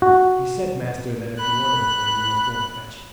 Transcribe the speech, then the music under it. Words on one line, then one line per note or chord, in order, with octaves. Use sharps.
"He said, master, that if you wanted the boy you must go and fetch him."
F#4
B5 F#6